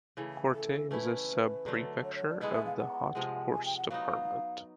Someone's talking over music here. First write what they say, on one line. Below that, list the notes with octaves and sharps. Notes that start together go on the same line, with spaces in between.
Corte is a subprefecture of the Haute-Corse department.
C#3 E3 A3
A4
A3 C#4 E4 B4
D3 F#3 A3
C#5
C#5
D5
G#3 B3 E4 A4 D#5
E5
F5
F#5
C3 F3 G#3
G#5
G5
F#5
F#3 B3 D#4 F5